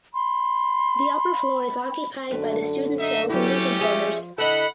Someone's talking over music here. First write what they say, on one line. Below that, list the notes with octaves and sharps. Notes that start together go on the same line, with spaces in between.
The upper floor is occupied by the student cells and living quarters.
B5 C6
F#2 D3 D4 A4
D#4 D#5 E5
F#3 A3 C#4 E4 G4
F3 G#4 E5
D3 E4 A4 D#5 E5 F#5 B5